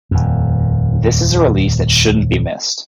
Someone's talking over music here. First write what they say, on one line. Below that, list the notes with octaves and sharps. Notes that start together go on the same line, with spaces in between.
This is a release that shouldn't be missed.
D#1 F2